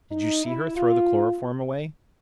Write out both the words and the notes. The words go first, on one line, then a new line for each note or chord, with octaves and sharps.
"Did you see her throw the chloroform away?"
D#4
E4
F4